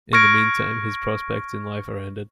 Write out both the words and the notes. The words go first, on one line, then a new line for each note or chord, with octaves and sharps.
In the meantime his prospects in life are ended.
C#6 F6 G#6 A#6 D7